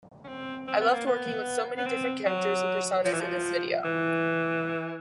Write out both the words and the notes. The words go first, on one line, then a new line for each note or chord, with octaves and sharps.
I loved working with so many different characters and personas in this video.
C#4
C4
C4
B3
A#3
B3
B3
C4
F#3
F3
E3
F3
E3